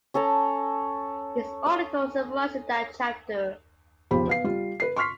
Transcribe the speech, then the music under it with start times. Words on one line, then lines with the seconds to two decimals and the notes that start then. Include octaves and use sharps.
This article summarizes that chapter.
0.14 C#4 A4 A5 A#5
1.66 D#6
4.11 E1 B1 F3 G4 C5 B5
4.27 B3 F5 C7
4.44 G3 F4
4.80 B4 C7
4.96 C6 C#6 F6 B6 C7